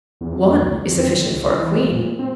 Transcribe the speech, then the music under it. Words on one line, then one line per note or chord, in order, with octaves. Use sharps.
One is sufficient for a queen.
E2
F2
C#2
F2
C4
G#1
C#2
E3
F1
A#2
C4